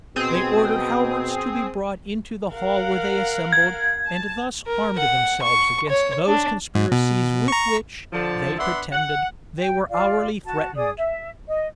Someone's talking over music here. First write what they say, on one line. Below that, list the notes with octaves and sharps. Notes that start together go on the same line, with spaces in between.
They ordered halberts to be brought into the hall where they assembled, and thus armed themselves against those conspiracies with which, they pretended, they were hourly threatened.
B2 C4 G#4 D#6
A#4 F5 F#5
G#6
A5
A#4
F#5
C#6
C#5
D4
G#2
B2
A#5 C#6
D3 F3 A5
B3 D4 E5 F#5 B5 C6
F#5
G5
F4 D5 F5
F#4 A5
G#4 D5 D#6
E5
D#5